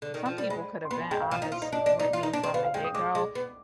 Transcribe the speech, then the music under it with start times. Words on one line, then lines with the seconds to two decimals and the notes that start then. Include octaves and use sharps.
some people could have been honest with me from the get-go,
0.02 D3
0.14 D#3
0.26 F3
0.38 G3
0.50 G#3 B5
0.85 C6
0.91 B3 B5
1.01 G#5
1.11 G#3 G5
1.21 F5
1.31 F3 F5
1.42 D#4
1.52 F4
1.62 D#4
1.73 D4 D#5
1.86 D4
1.99 D#4
2.13 F4
2.23 D#4
2.33 D4
2.43 C4
2.54 B3 F5
2.65 F5
2.74 G#3 G5
2.84 D#6
2.95 G#3 D6
3.15 G#3
3.35 B3